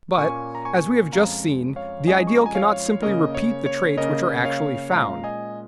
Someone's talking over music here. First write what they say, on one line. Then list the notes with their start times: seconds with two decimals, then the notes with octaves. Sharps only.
But, as we have just seen, the ideal cannot simply repeat the traits which are actually found.
0.18 A#2 A#3 C#4 G#5 C#6
0.55 A#5
0.65 G#5 C#6
1.13 F2 F3 G#3 C#4 F5 A#5
1.76 C#5 F5
2.07 F2 F3 G#3 C#4 D#5 G#5
2.27 C#6
2.36 A#5
2.46 G#5
2.55 C#5 F5
3.02 C#3 A#3 C#4 A#4 D#5
3.35 C#5
3.66 C#5
3.97 C#3 A#3 C#4 A#4 D#5
4.45 C#5 F5
4.92 A#2 G#3 C#4 F5 A#5
5.24 D#5 G#5